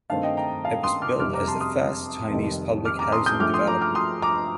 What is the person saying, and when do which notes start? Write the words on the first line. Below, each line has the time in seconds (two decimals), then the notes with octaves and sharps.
It was billed as the first Chinese public housing development.
0.10 G2 D#3 A3 C4 F5 A5
0.23 D#5 G5
0.37 G5 A#5
0.64 F5 A5
0.83 C6 D#6
1.02 D6 F6
1.20 F1 F2 C3 G3 D6 F6
1.34 A#5 D6
1.48 A5 C6
1.61 C6 D#6
2.30 F1 F2 D#3 G3
2.85 D6 F6
2.99 A#5 D6
3.12 C6 D#6
3.26 D#6 G6
3.40 G2 F3 A3 D6 F6
3.54 C6 D#6
3.67 A#5 D6
3.81 D6 F6
3.95 C6 D#6
4.22 A#5 D6